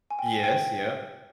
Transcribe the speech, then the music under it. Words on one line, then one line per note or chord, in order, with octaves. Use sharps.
Yes, yep.
G#5
G5
G#5
G5